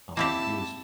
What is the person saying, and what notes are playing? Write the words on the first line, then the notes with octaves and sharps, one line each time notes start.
Um, he was
A#3 C4 E4 G4 A5